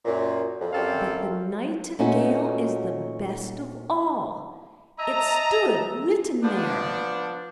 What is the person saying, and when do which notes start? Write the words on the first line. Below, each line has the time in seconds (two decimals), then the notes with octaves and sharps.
"But the Nightingale is the best of all!"--it stood written there.
0.05 F#2 A#2
0.60 F2
0.73 F#2 G3 C4 A4 F5
1.99 A#2 A3 C#4 D#4 F#4
4.99 D#5 E5 A5 A#5
6.42 F3 B3 D4